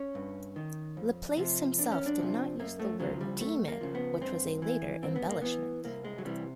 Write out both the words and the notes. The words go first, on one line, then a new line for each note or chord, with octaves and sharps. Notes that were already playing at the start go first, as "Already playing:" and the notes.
Laplace himself did not use the word "demon", which was a later embellishment.
Already playing: C#4
G2
D#3
F2
C3 F3
F2 D4
C#4
D4
C3 F3
F#2 A#3
A3
C#3 F3 F#3
G3
F#2 A3
A#3
C#3 F3
B3
G2 C4
E3
G2 C4
B3
A#3
E3 B3
C2 A#3
G#3
F#3
C3 E3 G3